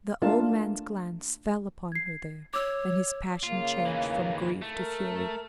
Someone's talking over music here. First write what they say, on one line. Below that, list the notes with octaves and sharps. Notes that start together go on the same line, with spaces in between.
The old man's glance fell upon her there, and his passion changed from grief to fury.
A3 A#3 D4 F4 A#4 A5
G#6 C7
C#5 D6 E6
C#3 A#3 F4
D#2 E3
A3
A#4